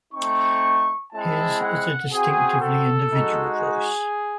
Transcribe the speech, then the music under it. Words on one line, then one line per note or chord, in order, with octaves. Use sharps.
His is a distinctively individual voice.
A3 C4 D#4 C#6
G#3 C4 E4 A5
F#5
C4 F#4 G#4
A4
G#3 D#4 F#4
G#4